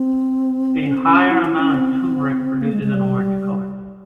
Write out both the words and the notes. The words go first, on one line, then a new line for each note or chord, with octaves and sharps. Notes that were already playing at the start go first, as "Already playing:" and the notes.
A higher amount of turmeric produces an orange color.
Already playing: C4
C#4
C4
C#4
E4
E4
C#4
C4
A#3
G#3
G#3
G3